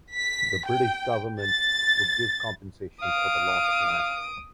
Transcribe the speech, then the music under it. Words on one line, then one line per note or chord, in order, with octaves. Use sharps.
The British government would give compensation for the lost land.
B6
G5
A6
F5 D#6 D7